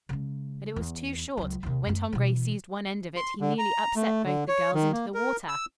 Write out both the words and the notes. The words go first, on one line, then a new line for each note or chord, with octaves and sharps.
But it was too short; when Tom Gray seized one end of it he nearly upset both the girls into the water.
C#3 G#3
E2
C#2 F#3
D#2 C3
F#2 A3
B2 E3
C6
D3
A#5
A3
D3
C#5
D#3
A#3
A#4
E6